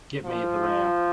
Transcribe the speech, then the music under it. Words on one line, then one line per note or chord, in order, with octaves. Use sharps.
Get me the man.
F3